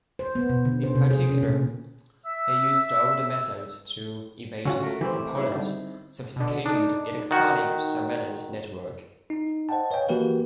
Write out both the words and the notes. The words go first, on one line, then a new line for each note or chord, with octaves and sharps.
In particular, he used old methods to evade his opponent's sophisticated electronic surveillance network.
C5
B3
B2
D3
C5
C3
G#4
C#4
A#2
E5 E6
D3 C#4 F4 F#4
A3 A#4
E3 C4 E4 G4
D#4 E4 G#4
D3 G3
B2 D3
D4 D#4
D#3 F#4
D#4
C5 D#5 F#5 G5 A5
B4 C#5 D#5 F5 G5 G#5
E3 A#3 F#4 G4 A#4 B4